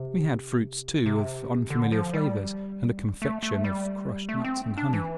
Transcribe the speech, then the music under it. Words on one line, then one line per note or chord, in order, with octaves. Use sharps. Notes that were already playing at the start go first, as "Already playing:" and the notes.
We had fruits, too, of unfamiliar flavors, and a confection of crushed nuts and honey.
Already playing: C3
C3
D3
F3
G3
A3
A3
G3
A3
C4
D4
E3